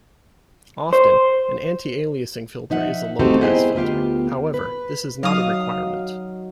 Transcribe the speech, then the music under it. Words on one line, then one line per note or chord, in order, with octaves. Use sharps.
Often, an anti-aliasing filter is a low-pass filter; however, this is not a requirement.
C5
F3 D#4 E5 F#5
A3 C4 D#4 F#4 G4 A4
B3 E4 G4 G#4 C5 D#5
D2 B3 F4 G4
B4
F#3 D#4 F5 D#6